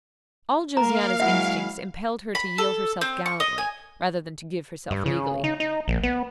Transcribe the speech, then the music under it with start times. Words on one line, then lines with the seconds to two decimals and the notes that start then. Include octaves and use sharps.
All Josiana's instincts impelled her to yield herself gallantly rather than to give herself legally.
0.77 A#3 A#4 F5 A#5
1.20 F#3 G#3 E4 E5 F#5
2.35 B5
2.58 A4
3.01 C4
3.26 C#6
3.40 D#5
3.58 G#5
4.91 G2
5.06 C#3
5.44 D#4
5.60 D#4
5.88 A#1
6.03 B3